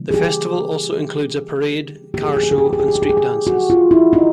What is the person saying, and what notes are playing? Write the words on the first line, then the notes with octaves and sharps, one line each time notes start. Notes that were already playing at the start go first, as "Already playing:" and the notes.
The festival also includes a parade, car show, and street dances.
Already playing: C#3 E3 G3 A#3
G#4
G4
D3 F3 A#3 G4
G#4
G4
G#4
G4
G#4
G4
G#4
G4
G#4
G4
G#4
G4
G#4
G4
F#4
F4
E4
D#4